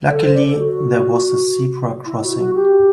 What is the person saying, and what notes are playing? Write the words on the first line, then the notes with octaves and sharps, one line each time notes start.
Luckily there was a zebra crossing.
A4
C5
D5
A4
F#4
E4
F#4
F#4
G4